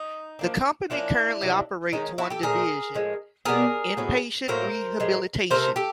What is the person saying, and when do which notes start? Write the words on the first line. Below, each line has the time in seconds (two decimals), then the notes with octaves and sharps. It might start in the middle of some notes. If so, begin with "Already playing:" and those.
The company currently operates one division: inpatient rehabilitation.
Already playing: D#4
0.39 F3 A#3 D4
0.90 F3 A#3 C#4 D4 E4
1.41 C3 D#3 F#3
1.92 D#3 G#3 C#4 D#4
2.18 E4 F#4
2.30 G4 A4
2.43 A#2 F3 A3 G#4 A#4
2.95 A2 F3 G#3
3.45 B2 G3 B3 D4 G#4 A#4
3.97 A2 F#3 B3
4.48 A2 F#3 A#3 A#4 C5
5.00 A2 E3 G#3
5.50 C3 F3 A3 A#4 C5
5.76 G4 A4